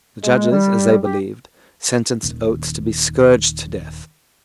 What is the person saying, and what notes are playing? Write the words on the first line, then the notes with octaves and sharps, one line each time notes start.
The judges, as they believed, sentenced Oates to be scourged to death.
G#3
G3
G4
D#1 D#3